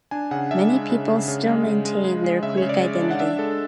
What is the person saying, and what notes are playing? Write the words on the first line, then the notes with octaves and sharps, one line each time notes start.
Many people still maintain their Greek identity.
D4 G#5
C#3 F#5
D4 E5
G#3
C#3
C#3
C#3
G#3
C#3
G#3
G#3
G#3
C#3 E5
C#3 C#5
D5
G#3
D5
D4
F#5
D4 E5
G#3 A4